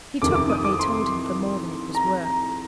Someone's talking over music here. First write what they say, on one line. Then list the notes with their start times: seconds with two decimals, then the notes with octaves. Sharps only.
He took what they told him for more than it was worth.
0.22 F2 C3 D#3 D6
0.35 D6
0.50 D#6
0.65 D6
0.79 C6
1.95 A#5